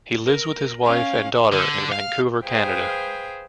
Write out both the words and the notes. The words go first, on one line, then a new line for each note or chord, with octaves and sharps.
He lives with his wife and daughter in Vancouver, Canada.
A#4
C#4 F5
D3
F5
G#4 B4 C5 F5 G5